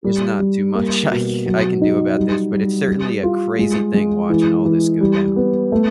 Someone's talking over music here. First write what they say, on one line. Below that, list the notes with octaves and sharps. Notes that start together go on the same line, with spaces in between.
There's not too much I ca I can do about this, but it's certainly a crazy thing watching all this go down.
G3
G3
A#3
B2
F#3
D#4
G3
G3
G3
F4
G#3
G#3
E3
E3
G3
B3
A3